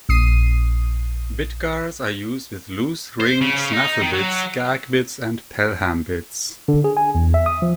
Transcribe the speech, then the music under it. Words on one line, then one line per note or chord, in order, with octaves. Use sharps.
Bit guards are used with loose ring snaffle bits, gag bits, and pelham bits.
A#1 D#6 C7 D#7
C5
C#3
D#4
D#3
F#3
D3
G#4
G#5
E2
E5
D#6
F3